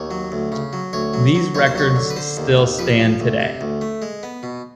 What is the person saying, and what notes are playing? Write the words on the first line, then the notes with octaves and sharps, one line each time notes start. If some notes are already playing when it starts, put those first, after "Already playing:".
These records still stand today.
Already playing: D#2 C#5
F#3
D2
C#3
F#3
D2 C#5
F#3
F#3
D#2 C#5
C5
F#3 C#5
D3
B4
D3 C5
D#2
D#2
F3 B4
F3
D2
C3
D2
A3
G#3
B3
B2